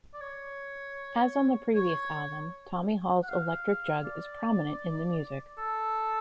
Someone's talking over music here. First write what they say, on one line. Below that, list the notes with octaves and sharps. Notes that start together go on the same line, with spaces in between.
As on the previous album, Tommy Hall's electric jug is prominent in the music.
D5
C#5
C#5
F#5
F5
D5
A4